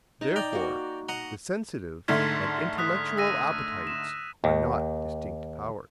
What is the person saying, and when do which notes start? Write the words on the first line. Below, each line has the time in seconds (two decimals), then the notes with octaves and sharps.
Therefore the sensitive and intellectual appetites are not distinct powers.
0.21 D#4 D#5 A5
0.36 D5 G5 A#5
0.53 A#3 F#4
1.09 D#5 F#5 A#5
2.08 G#2 D3 A3 F6 G#6 B6
2.78 D#6 F#6 B6
3.17 E6 A#6 D#7
3.87 E7
4.44 D#2